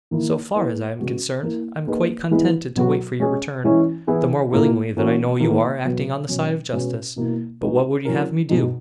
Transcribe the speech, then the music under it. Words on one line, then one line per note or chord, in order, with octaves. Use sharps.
"So far as I am concerned, I'm quite contented to wait for your return; the more willingly that I know you are acting on the side of justice. But what would you have me do?"
D#3 A#3 E4
A#3 E4 B4
C#3 G#3 B3 F#4
A#3 E4 A#4
A#3 D#4 G#4 B4
E3 G#3 B3 E4 B4
B2 F#3 B3 F#4
G#3 C#4 G#4
E3 G#3 C#4 E4
E3 B3 E4 G#4
A#2 A#3 E4
E3 A#3 C#4 F#4 A#4
D#3 A#3 E4 G#4 B4
B2 F#3 B3
B2 F#3 C#4
B2 G#3 C#4 F#4 B4
B2 A#3 E4
G#3 D#4 F#4 B4
F#3 C#4 E4 A#4
B2 G#3 D#4